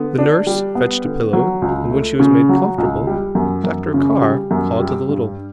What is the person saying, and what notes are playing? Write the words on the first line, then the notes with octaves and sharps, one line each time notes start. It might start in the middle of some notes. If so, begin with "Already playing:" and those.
The nurse fetched a pillow, and when she was made comfortable, Dr. Carr called to the little ones.
Already playing: D3 B3
D4
G3
B3
D3
F#3
C#2
A3
C#3
F#3
C#2
G3
F#2
F#2
C#3
G3
F#2
G3
G2